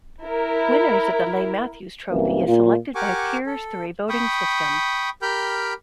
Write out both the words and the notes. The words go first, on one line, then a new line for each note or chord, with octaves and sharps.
Winners of the Leigh Matthews trophy is selected by peers through a voting system.
E4 A#4
C2 F#2 E3 A#3
A#2 F4
G4 A#4 F#5 G#5 C#6 D6
A4
G5 B5 C#6 D#6
G4 A#4 G5 B5 F6 G6